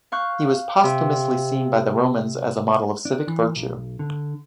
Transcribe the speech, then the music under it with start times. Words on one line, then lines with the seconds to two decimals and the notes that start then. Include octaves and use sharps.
He was posthumously seen by the Romans as a model of civic virtue.
0.12 F5 C#6 F#6 G6
0.83 C3
3.05 D4
3.27 E3
3.56 B1
3.99 D3